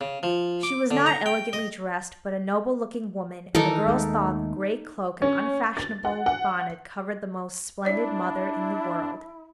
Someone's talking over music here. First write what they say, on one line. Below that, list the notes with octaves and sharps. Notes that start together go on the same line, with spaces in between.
She was not elegantly dressed, but a noble-looking woman, and the girls thought the gray cloak and unfashionable bonnet covered the most splendid mother in the world.
C#3
F3
D6
D3
A#5
G5
D#5
D#3 E3 D#4 A4 A#4
D#2 G#3 A3
C#4
A6
F#5
F#5
D4 E4 C#5 D5